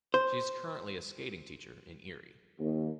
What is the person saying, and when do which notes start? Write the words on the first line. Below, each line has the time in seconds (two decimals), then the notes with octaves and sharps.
She is currently a skating teacher in Erie.
0.14 C5
2.59 D#2